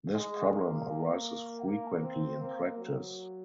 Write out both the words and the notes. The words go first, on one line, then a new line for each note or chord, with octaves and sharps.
This problem arises frequently in practice.
G#3
A#3
A#3
A#3
C4
A#3
F#3